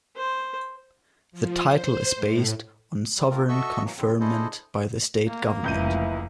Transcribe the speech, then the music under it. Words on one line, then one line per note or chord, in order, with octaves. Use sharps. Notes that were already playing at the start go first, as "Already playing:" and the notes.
The title is based on sovereign conferment by the state government.
C5
F3
C5
A2
G3
A3 C4 F4 A#4
F#4 A4 D#5 E5 C#6 E6
E3 F#3 A#3
F2 C#3 C4
D4 E4 G#4 A4 C5 D#5
A#3
F1 C#2 E3 G6 D#7